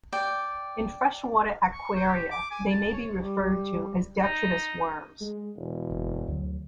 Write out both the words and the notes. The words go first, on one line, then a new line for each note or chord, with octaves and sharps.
In freshwater aquaria they may be referred to as detritus worms.
D5 G5
C#6
C5
G4
D6
G#5
A5
C#5
G3
D#4
G#3
E1
F#1
D2 D3 F#3